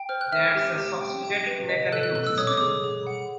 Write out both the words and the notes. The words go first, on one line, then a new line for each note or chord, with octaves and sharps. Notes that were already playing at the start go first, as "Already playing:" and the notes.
That's a sophisticated mechanical system!
Already playing: G5
C5 F6
F#6
E5 F6
G4
G4
G5
G4
B4
D#5
A4 F#6
F#6
A4 F#6
E6
C#5 D#6
D6
G#4 D#6
G#4
F#5